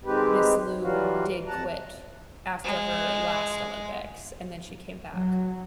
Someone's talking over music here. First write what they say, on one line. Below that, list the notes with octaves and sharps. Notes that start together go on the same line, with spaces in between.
Miss Liu did quit after her last Olympics, and then she came back.
D#3 G#3 C4 G4 B4
E3 F#3 G3 F4 F#4
F2 F#5 A5 A#5
G#3
F#3